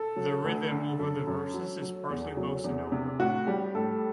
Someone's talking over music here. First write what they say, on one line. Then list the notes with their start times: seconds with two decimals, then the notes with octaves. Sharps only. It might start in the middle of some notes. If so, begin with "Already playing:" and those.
The rhythm over the verses is partly bossa nova.
Already playing: A4
0.16 F#3
0.44 D2
0.71 D3
0.99 F#2 A4
1.27 F#2
1.54 F#3
1.82 F#3
2.10 E2
2.37 F#3
2.64 E2
2.92 C3
3.19 A2 F#4
3.47 G3 G4
3.75 A2 A4